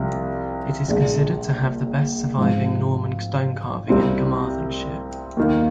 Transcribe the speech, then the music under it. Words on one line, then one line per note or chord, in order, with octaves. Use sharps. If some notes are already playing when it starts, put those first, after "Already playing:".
It is considered to have the best surviving Norman stonecarving in Carmarthenshire.
Already playing: C2 C3 F3
A#1 A#2 G#3 D4
G#2 F3 C4
C2 C3 G3 C4 F4
D#2 D#3 A#3